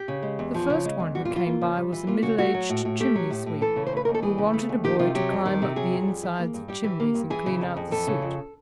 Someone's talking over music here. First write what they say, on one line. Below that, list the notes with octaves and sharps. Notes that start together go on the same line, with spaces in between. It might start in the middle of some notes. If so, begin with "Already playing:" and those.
The first one who came by was a middle-aged chimney-sweep, who wanted a boy to climb up the insides of chimneys and clean out the soot.
Already playing: G4
C#3
G#3
E2
F3
C#3
G#3
E2
G3 F#4
F4
E3
F4
A#3
C#3
G3
E3
A#3 F4
C#3 F#4
A3 F#4
F#3
A2
A2
A3 G4
F#3
A2
A2
E3 A4
C#3
C5
A3 B4
D#2 A#4
A4
E3 G#4
C#3
A3
D#2
D#3 G4
C3 F4
F#3 G4
F2
D#3
C3
F#3 G#4
F2
G3
E3
A#3
G2
G3 G4
E3
A#3
G2
E3 G#4
C#3
F2
F2
E3 A4
C#3
F2